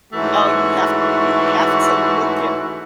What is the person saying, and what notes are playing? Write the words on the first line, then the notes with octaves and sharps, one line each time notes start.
Oh, you have to you have to look it
G#2 E3 A3 C#4 F#4